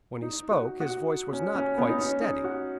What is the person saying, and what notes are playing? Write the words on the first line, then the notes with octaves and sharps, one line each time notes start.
When he spoke his voice was not quite steady.
D#4
F#4
F#4
C#4
C#4
B3
D#4
C#4
D#4
F#4